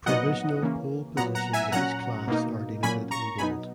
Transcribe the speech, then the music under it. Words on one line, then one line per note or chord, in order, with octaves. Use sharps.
Provisional pole positions in each class are denoted in bold.
A#2 F#3 B3 D#4 D#5 F#5
C#3 E3 A#3 C#4
A#2 F#3 B3 F#5 A#5
F#5 A#5
E5 G#5
A#2 F#3 C#4 F#5 A#5
B2 A#3 D#4
A#2 F#3 A#3 C#4 G#5 B5
A#5 C#6
B2 F#3 B3 D#4 G#5 B5